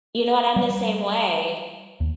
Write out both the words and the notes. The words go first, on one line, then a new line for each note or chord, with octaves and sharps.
You know what? I'm the same way.
G3
D#2